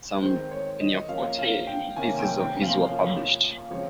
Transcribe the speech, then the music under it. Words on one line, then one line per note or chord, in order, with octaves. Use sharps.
Some pianoforte pieces of his were published.
D#3 G#3 C4 C5
C#5
D#5
F3 A#3 C#4 F5
F5
G5
C3 D#3 A#3 C#4 G#5
G5
G5
F5
F3 A#3 C#4 F5
C#3 F3 G#3 C4 C#5